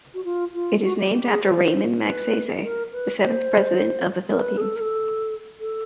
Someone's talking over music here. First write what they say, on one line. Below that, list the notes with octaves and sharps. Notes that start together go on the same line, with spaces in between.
It is named after Ramon Magsaysay, the seventh President of the Philippines.
F#4
F4
F4
F#4
G4
G4
G#4
C5
B4
A#4
B4
C5
A#4
B4
G#4
A4
A#4
A4
A4